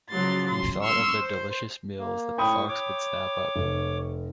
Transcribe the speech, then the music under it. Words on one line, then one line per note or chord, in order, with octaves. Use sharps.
He thought of the delicious meals that the fox would snap up.
C#3 F3 F#3 C6 A6
C6
C6 C#6 E6 F6
C5
A#3
A2 G5 B5 C#6 D#6
C#5 D6
F1